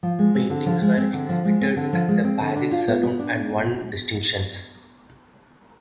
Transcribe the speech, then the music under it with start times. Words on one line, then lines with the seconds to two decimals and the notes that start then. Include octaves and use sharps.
Both paintings were exhibited at the Paris Salon and won distinctions.
0.03 F3
0.19 G#3
0.35 C4
0.50 D3
0.66 F3
0.82 G#3
0.97 C4
1.13 D3
1.29 F3
1.45 G#3
1.61 C4
1.76 D3
1.93 F3
2.08 G#3
2.24 C4
2.41 D3
2.56 D4
2.71 F4
2.88 B3
3.03 B3
3.19 D4